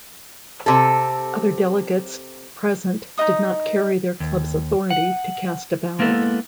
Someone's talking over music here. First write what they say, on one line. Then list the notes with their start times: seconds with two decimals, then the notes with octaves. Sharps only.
Other delegates present did not carry their club's authority to cast a ballot.
0.66 C3 A4
3.18 D#4 F#4 D#5 D#6
4.20 D#2
4.90 F#5
5.99 G#3 A#3 B3 E4 A4